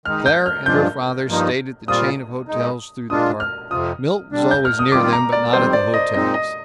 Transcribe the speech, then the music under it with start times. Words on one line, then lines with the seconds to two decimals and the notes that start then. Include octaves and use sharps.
Claire and her father stayed at the chain of hotels through the Park. Milt was always near them, but not at the hotels.
0.05 D#3 G#3 D#4 F6
0.26 G6
0.46 F6
0.66 G2 F3 G#3 D4 F4 G6
1.28 G2 F3 A#3 D#4
1.88 A#2 G3 C4 F4 D#6
2.48 A#2 G#3 D#4
3.10 A#2 G#3 D4 F4 D#6
3.40 F6
3.70 F2 C3 F3 D#6
4.32 D3 G3 D4
4.51 G6
4.65 F6
4.79 D#6
4.92 D#3 G3 C4 F4 D6
5.13 A#5
5.32 D5
5.53 F2 D#3 G3 C4 C5
5.73 D5
5.94 D#5
6.14 A#2 G#3 C4 D#4 D#5
6.34 D#5